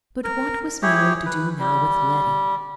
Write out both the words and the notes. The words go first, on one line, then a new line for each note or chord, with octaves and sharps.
But what was Mary to do now with Letty?
A#4
E4 G4 G#4 C#5
B4
G3